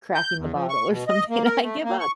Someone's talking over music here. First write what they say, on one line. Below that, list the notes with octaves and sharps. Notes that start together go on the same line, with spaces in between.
cracking the bottle or something, "I give up!"
G6
E2
F3
C#6
B2
D#5
A#3
A#4
A3
A#3
C#6